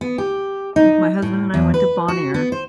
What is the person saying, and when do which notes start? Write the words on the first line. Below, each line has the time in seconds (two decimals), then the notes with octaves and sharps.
my husband and I went to Bonaire,
0.01 B3
0.18 G4
0.76 D#4
1.22 A2
1.54 E2
1.74 B4
2.08 F#4
2.34 B3
2.52 C5